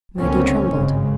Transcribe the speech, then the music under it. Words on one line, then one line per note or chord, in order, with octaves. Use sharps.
Maggie trembled.
C#2 D3 G3 A#3 C4 C#4
G#1 G2 C#3 G#3